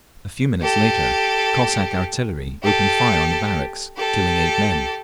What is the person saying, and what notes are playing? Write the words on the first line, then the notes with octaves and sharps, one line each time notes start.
A few minutes later Cossack artillery opened fire on the barracks, killing eight men.
G4 A4
G4 A4
G4 A4